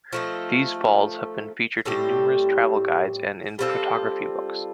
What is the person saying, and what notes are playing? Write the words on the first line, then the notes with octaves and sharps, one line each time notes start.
These falls have been featured in numerous travel guides and in photography books.
F3 A3 D#4
A2 G3 C4 G4
G3 C4 F4 A4